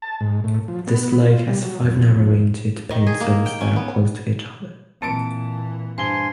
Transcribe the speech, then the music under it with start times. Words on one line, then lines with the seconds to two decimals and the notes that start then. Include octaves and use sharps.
This lake has five narrowing due to peninsulas that are close to each other.
0.02 A5
0.20 G#2
0.44 A2
0.68 F3
0.87 B3
1.22 F4
1.47 G3
1.64 F#3
1.83 F2
2.91 D#3
3.07 G#4
3.21 A#3
3.46 G5
3.61 C#4
3.76 B3
5.02 A#2 E3 F#3 A#3 C4 A5 C#7 D7
5.98 G2 C5 G#5 C6 G7